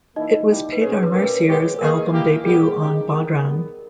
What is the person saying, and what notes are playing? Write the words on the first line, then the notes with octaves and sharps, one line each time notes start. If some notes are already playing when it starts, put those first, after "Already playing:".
It was Peadar Mercier's album debut on bodhran.
E3 A#3 D#4 E4 D#5
G3 A#3 E4 G4
B4
B2 G#3 C#4 G#4 C#5
C#5
B4
B2 A#3 C#4 G4 A#4
B4
B4
B2 G#3 B3 G4
D#3 A#3 D#4 G#4 A#4
D#3 A#3 E4 G4
A#2 G3 B3 G4 G#4
C#3 G#3 D#4 G4
D#3 G#3 B3 D#4 A#4
B2 G3 B3